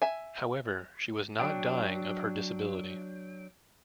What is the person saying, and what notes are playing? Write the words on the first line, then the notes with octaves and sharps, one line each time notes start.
However, she was not dying of her disability.
E5 G#5
F#3 D4 G5